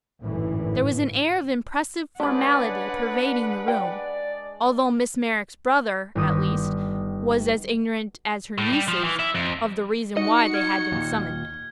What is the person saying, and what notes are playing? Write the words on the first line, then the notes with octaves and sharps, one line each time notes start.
There was an air of impressive formality pervading the room, although Miss Merrick's brother, at least, was as ignorant as her nieces of the reason why they had been summoned.
G#1 F#2 A2 D3 E3
G#3 C#4 D4 B4 C#5 D5 F#5 B5
D5 G5
G1 D#3 D#6
A2
G3
F3
E3
E4
F2
D#4 F#4 D#5 C#7
F6 G#6
D#2 A#2